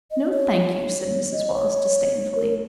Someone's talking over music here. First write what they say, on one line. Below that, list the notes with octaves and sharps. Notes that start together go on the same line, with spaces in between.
"No, thank you," said Mrs. Wallace disdainfully.
D#5
C#5
D#5
C5
C#5
A#4